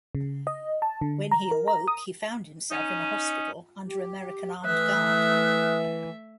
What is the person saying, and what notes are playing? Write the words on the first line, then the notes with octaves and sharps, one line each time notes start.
When he awoke, he found himself in a hospital under American armed guard.
C#3
D#5
A5
D3
A#5
A#4
A#5
D#6
C#4 D#4
G4
E3 A3 E5 D#6 F6 F#6